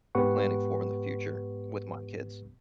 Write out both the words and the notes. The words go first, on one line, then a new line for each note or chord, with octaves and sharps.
planning for in the future, with my kids.
G#2 B3 G4 B4 F#5 C#6